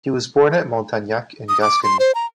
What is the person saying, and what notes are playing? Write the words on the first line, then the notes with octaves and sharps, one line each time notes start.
He was born at Montagnac in Gascony.
D#6
D6
C6
C5
A#5